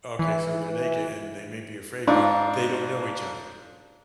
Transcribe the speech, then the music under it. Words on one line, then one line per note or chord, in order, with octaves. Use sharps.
Okay, so they're naked, and they may be afraid, but they don't know each other.
E3
G#2 D4 F4